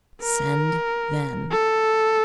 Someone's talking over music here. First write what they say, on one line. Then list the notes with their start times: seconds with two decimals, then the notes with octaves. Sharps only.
"Send then."
0.21 A#4
1.51 A4